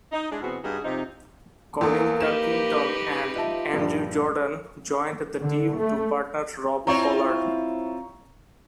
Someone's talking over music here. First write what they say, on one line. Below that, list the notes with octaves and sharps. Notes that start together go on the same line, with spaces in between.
Colin Turkington and Andrew Jordan joined the team to partner Rob Collard.
D#4
G#3 D4 E4
B2 E3 B3 C4 F#4 G#4
G2 C#3 D#4 F#4 G#4
C3 F3 D#4
E2 A#3 A4
D#4 G4 B4 E7
F4 D#5 E5 A5
A#1 G2
D3
A3
C4 E4 F4 C#5 A#5 C#6